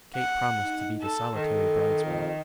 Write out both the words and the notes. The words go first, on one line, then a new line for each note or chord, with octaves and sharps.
Kate promised to be the solitary bridesmaid.
F#5
D#4
A4
D#3 A4
F2